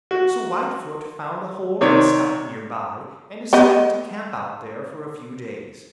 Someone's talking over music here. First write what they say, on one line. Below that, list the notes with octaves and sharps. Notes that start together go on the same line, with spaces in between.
So Whitefoot found a hole in a stump near by and decided to camp out there for a few days.
F#4
C3 D#3 C#5 D5
B3 G4 D#5